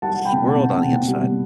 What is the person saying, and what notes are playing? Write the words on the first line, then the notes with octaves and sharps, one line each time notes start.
Swirled on the inside.
G3 F#5 A5
G3
G5 B5
B2
B2 F#5 A5
B2
F#5
B2
B2 F#5
G3
B2